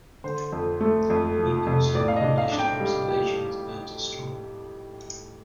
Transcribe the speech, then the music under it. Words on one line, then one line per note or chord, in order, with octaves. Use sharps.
He also published observations about astronomy.
D3 C5
F2
A3
F2
F3
F2
A2 D5
F5
D#5
D4
F5
D4
G5
G3
G4